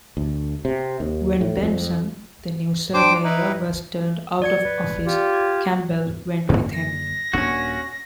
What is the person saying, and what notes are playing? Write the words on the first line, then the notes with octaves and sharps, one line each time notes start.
When Benson, the new Surveyor was turned out of office, Campbell went with him.
D2
C3
D#2
A2
F2
D4 C5 G5 D6
D#4 E4 B4
D5 G#6 C#7
B4
F4 G4
G#6
F#2 D3 A#3
A#6
D#1 A#2 C#4 D4 F#4